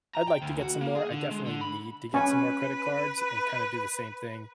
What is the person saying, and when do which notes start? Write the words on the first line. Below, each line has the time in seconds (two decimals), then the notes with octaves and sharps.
I'd like to get some more, I definitely need to get some more credit cards, and kinda do the same thing
0.15 A#5
0.28 G5
0.42 D2
0.61 F#4
0.81 A#3
0.95 G#4
1.11 D3
1.31 G#3
1.46 D3
1.61 B5
2.14 C#4 B4 G#5 C#6